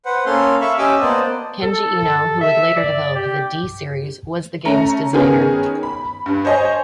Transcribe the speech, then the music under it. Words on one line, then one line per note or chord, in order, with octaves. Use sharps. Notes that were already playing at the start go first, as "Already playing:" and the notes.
Kenji Eno, who would later develop the "D" series, was the game's designer.
B4 C5 F#5
A#3 C#4 A4 F5 C6
E5 F5 B5 C#6
C#4 G4 D#5 G#5 D6 E6
A#3 B3 C5 D5 D#5 A5
A4
A4
E5
D5
G4
A3 C#4 A#5
D#3 B3 C#4 G#4 A#4
B5
G2
C5 C#5 D#5 G#5